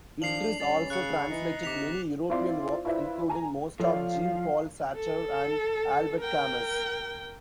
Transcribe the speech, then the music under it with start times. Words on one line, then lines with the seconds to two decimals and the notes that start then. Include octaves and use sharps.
Idriss also translated many European works, including most of Jean-Paul Sartre and Albert Camus.
0.22 F3 D4 C7 F7 F#7
0.60 G3 C#4 A6 F7
0.90 C#3 F#6 C#7
1.30 E3 D#4
1.63 C3 D6 B6 F7
2.29 C4 E4 F4 D5 C6
2.85 E4 F4 B4 C5 D5 E5
3.29 G#5 A#5
3.80 F3 A4 C#5 D5 F5
4.96 A4
6.21 A#4 G5